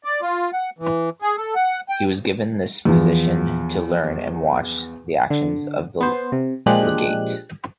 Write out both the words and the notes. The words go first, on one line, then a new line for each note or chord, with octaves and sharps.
He was given this position to learn and watch the actions of the legate.
D5
F4
F#5
E3
G#4
A4
F#5
G5
E2 F3
D3
B3 C5
C3
A#2 F3 G#3 D4 G4 F#6